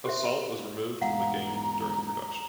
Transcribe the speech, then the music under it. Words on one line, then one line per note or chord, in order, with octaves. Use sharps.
Assault was removed from the game during production.
G4 C5 E5
E1 G#2 B2 F5 F#5 A#5